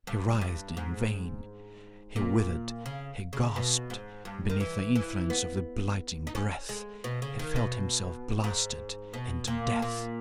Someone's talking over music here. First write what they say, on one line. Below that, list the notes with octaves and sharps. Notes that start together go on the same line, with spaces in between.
He writhed in vain; he withered--he gasped--beneath the influence of the blighting breath--he felt himself blasted into death.
G2
G2
G#2
A#2
C#3
C#3
B2
G#2
G2
D#3
E3
E3
B3
D#4
C#4
G#3
B2
C#3
D#3
B2
G#2
B2
A#2
A#2